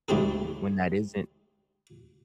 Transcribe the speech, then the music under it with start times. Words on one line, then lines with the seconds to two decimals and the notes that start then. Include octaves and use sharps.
w m when that isn't,
0.08 D2 G#2 G3 C4 G#4 A4